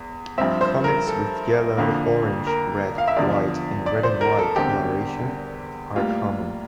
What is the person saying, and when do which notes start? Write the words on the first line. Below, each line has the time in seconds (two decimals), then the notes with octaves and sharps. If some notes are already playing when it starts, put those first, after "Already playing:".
Comets with yellow, orange, red, white, and red-and-white coloration are common.
Already playing: E2
0.38 G2 F3 C4 E5
0.61 C5
0.84 A#4
1.07 A4
1.77 F2 D3 F3 A#3
2.47 A#4
2.98 F5
3.07 E5
3.16 E2 D3 F3 D5
3.86 D5
4.03 C5
4.21 A#4
4.39 A4
4.56 E2 D3 G3 C4 G4
5.95 A2 G3 A#3 F4